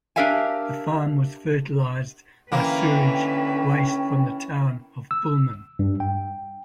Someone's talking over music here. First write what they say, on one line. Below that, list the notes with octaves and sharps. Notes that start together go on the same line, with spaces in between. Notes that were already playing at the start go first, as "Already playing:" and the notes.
The farm was fertilized by sewage waste from the town of Pullman.
D4 G4 A#4 E5 F5 G#5
D3 E3 A#3 C#4 B4 G5
E6
G2
G5